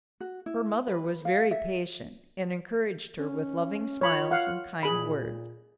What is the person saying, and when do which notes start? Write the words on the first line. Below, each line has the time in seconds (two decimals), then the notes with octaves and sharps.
Her mother was very patient and encouraged her with loving smiles and kind words.
0.21 F#4
0.46 E4
0.88 B4
1.25 F5
1.51 E5
3.19 C#4
4.01 F4 C#5 B5
4.31 F5 F#5
4.83 A#2 G#4 B5